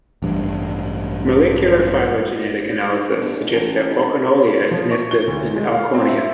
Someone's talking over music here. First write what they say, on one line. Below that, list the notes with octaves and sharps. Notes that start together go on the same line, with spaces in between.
Molecular phylogenetic analyses suggest that "Bocquillonia" is nested in "Alchornea".
A1 G2
G1
G#1
A1
G#1
F3
C#6
G7
D2
G#3
F5
C4
E5